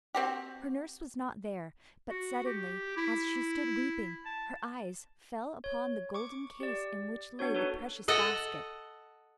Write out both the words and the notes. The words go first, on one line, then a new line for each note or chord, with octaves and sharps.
Her nurse was not there, but suddenly, as she stood weeping, her eyes fell upon the golden case in which lay the precious basket.
C4 F#4 G4
F#4
G4
E4
A5
C#5
C#6 D6
G4 D5
B3 D4 F#4 C#5
D#4 F#4 A4 B4 C#5
A4 D#5 F#5